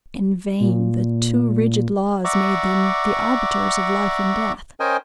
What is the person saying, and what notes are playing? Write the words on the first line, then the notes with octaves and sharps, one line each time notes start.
In vain the too rigid laws made them the arbiters of life and death.
A#2
D5 E5 F#5 A#5 C#6 D6
C#4 A#4 C5 D#5 G5 G#5